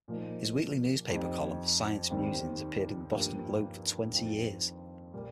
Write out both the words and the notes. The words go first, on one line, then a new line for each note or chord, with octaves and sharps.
His weekly newspaper column "Science Musings" appeared in the Boston Globe for twenty years.
A#2 F3 A#3 D#4
F2 F3 D#4 G4
D#2 D#3 G3 C4 G4
G2 F3 A#3 G4
F2 D#3 C4 F4
A#2 G3 A#3